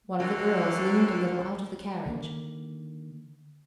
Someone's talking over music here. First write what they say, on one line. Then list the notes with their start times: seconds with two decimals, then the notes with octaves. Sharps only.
One of the girls leaned a little out of the carriage.
0.20 F#2 D3 F#3 A#3 C4
2.06 D3 D#3 G#3 A#3